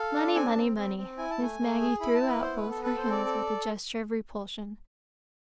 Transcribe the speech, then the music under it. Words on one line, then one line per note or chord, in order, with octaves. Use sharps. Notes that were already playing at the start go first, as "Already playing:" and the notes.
"Money, money, money!" Miss Maggie threw out both her hands with a gesture of repulsion.
Already playing: A4 F5
D4
C4 G#5
A5
C4
C4
C4
E4 G#5
A5
A3 G#5
A3
G#4
E4 B5
A5
E4
B4
B3 C5
B4
B3
A4
A4 B4
C5
C4
D5
A4